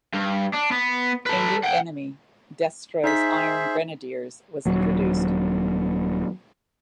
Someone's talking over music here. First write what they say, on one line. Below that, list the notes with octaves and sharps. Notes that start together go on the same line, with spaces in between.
A new enemy, Destro's Iron Grenadiers, was introduced.
G2
D4
B3
A4 B4
F#5 G5
D#4 G#4 C5 E5 B6
D#1 F#3